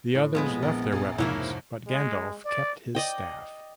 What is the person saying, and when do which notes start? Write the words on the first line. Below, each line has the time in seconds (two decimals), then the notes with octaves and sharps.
The others left their weapons, but Gandalf kept his staff.
0.15 A2
0.35 F2 G#3 B3 B4
0.62 A#1 A#4
0.92 A#1 F#2 G#4
1.18 C2 F2 G#2 C#3 A#3 E4 C#5 E5
1.39 C5
1.87 G#3
2.45 D5
2.95 D5 D#5 G5